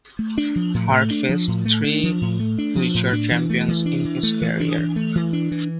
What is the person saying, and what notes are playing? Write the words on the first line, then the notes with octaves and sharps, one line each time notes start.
Hart faced three future champions in his career.
A3
D4
F3
A2
A3
D4
F3
A2
A3
D4
F3
A2
A3
D4
F3
A2
D4
E3
A3
E3
D4
E3
A3
E3
D4
E3
A3
E3
D4
E3